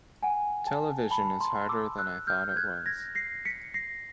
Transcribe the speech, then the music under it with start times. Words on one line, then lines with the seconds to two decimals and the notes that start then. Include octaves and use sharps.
Television is harder than I thought it was.
0.23 F#5 G#5
0.67 G5 A5
1.11 A5 B5
1.41 A#5 C6
1.69 D6 E6
1.98 E6 F#6
2.27 F6 G6
2.50 G6
2.56 F#6 G#6
2.86 G#6 A#6
3.15 A#6 C7
3.45 B6 C#7
3.74 A#6 C7